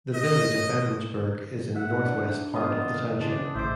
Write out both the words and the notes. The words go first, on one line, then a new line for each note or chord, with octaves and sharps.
The village of Edwardsburg is in the northwest part of the township.
D#5
E5 F#5
D4
A#3 B3 F4 D#5 D6
C#3 E3 D4 C6
A1 C5 E5 D6